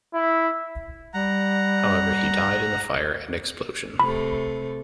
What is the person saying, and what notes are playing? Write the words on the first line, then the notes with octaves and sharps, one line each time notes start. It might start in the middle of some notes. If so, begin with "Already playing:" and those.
However, he died in the fire and explosion.
E4
G3 F#5 A#5
C3 A3 B5